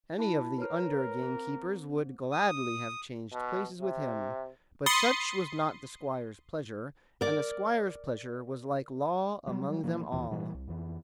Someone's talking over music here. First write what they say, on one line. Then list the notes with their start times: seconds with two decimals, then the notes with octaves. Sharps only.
Any of the under-gamekeepers would gladly have changed places with him; but such was not the squire's pleasure, and the squire's pleasure was like law among them all.
0.18 E4 A5 B5
0.58 A#4 B4 C#5 F6
1.22 C4
2.32 D#6
3.33 B2
3.81 C3
4.86 B5 C6 D#6 A6 C7 C#7
7.21 A#4 D5
9.47 F#3 G3
9.84 A#2 E3 F3 A#3
10.12 D#2 A#2 E3
10.31 A#2 E3 G3
10.54 C2
10.68 F2 E3